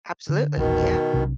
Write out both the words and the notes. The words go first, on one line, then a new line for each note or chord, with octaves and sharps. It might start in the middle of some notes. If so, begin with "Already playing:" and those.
Absolutely, yeah.
D3
E1 A#1 E2 B2 D#3
B1 C3 D4